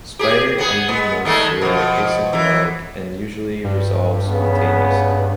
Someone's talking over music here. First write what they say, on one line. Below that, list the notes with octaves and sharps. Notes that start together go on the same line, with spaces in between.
Spider angiomas are asymptomatic and usually resolve spontaneously.
G4 G#4
B3 G#4
G#3 B3
D#2 G#3 A3
B2 F3
F#2 E3
G2
C#3 B3